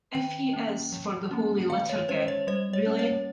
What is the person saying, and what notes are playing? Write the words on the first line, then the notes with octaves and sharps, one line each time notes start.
If he is for the Holy Liturgy, really.
D#3 G5
A#3 C#4
F3
A#3 C#4
D#3 F5
C#5
G#3 C#4 C5
C#5
G3 C5
C#5
A#3 C#4
C#5